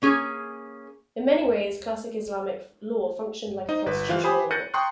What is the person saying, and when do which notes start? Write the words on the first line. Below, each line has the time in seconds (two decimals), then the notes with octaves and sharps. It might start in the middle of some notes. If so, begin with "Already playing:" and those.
In many ways, classical Islamic law functioned like a constitutional law.
0.02 A#3 C#4 G#4
3.69 D#4 C5 D#5
3.86 G1 B4
4.09 E3 F4 C5 F5 F#6
4.23 G4 C5 G#5 B5 D#6
4.51 F#6 G6 A6 A#6 C#7 D#7
4.74 G5 A#5 C6 C#6 D#6 F#6